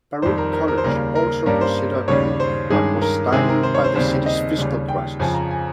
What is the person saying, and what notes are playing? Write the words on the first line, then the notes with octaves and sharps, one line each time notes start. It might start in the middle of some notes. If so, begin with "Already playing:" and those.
Baruch College also considered moving but was stymied by the City's fiscal crisis.
F2 D#3 G3 C5
A#4
A#4
A#4
C5
D#2 C#3 G3 A#3 A#4
A#4
G2 G3 A#3 C#4 A#4
C5
D#2 C#3 G3 C#4 C#5
C5
G2 D#3 G#3 C#4 G#4
A#4
C3 D#3 G#3 C4 G#4
A#4
C5
C#5
C5
D#2 C#3 G3 C4 C5
D#5
D#2 C#3 G3
G5
F2 C#3 F3 G#5
A#5
G#5